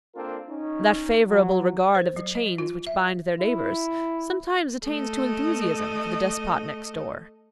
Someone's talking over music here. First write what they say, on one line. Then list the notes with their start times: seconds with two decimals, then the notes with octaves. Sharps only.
That favourable regard of the chains which bind their neighbours sometimes attains to enthusiasm for the despot next door.
0.15 A#3 C4 D4 F4 A4 A#4
0.49 C#4 D#4
1.26 F#3
1.95 C5
2.16 F#3
2.35 D#5
2.58 F4
2.87 E5
3.40 E4
4.87 A3 D#5